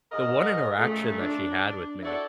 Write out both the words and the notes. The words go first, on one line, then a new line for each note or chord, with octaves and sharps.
the one interaction that she had with me
G#2 A#4 D#5
A#2 C#3 A3
D4
E4 F#4 A4 D5